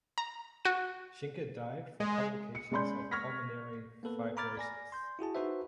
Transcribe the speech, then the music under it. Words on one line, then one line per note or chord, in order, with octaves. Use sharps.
Shenker died from complications of pulmonary fibrosis.
A#5
F#4 D#7
G#3
C#7
G#3 C#4 D5 B5 C6 G6
C#6 F6 G#6 A#6 B6
A#3 B3 A4 B4
A#5 B5 D6 F6 G#6 A6
D5 G#5 A#6
C6 G6
E4 F#4 G#4 A5
D#4 F#4 B4 C5 E5